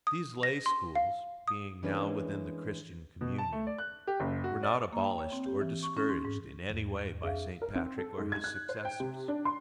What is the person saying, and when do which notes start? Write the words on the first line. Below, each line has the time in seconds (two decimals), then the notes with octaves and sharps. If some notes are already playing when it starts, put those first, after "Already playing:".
These lay schools, being now within the Christian communion, were not abolished or discouraged in any way by St. Patrick or his successors.
0.07 D#6
0.43 A#6
0.66 C6
0.95 F5
1.48 D#6
1.83 E3 G#3 A#3 C#4 D4 B4
3.21 B2
3.38 A5
3.53 A3
3.67 D5
3.78 F#6
4.07 G4
4.20 F#1
4.44 F#4
4.63 D5
4.93 A#3
5.04 G5
5.18 C#5
5.32 C4
5.46 G4
5.61 E3
5.83 C#6
5.97 C#4
6.09 C6
6.25 G#2
6.69 E2 G#2 E3
7.23 F2 D4 G#4 E5 F5
7.62 A#4
7.75 C4
7.98 A4
8.18 G#2
8.32 G#6
8.44 F#6
8.69 C5
8.85 G5
9.00 C3
9.28 D4
9.45 C6